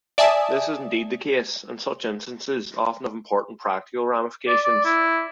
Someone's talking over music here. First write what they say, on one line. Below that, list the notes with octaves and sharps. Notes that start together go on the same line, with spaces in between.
This is indeed the case, and such instances often have important practical ramifications.
D5 E5 G#5 A5 D#6
D5
D5
E4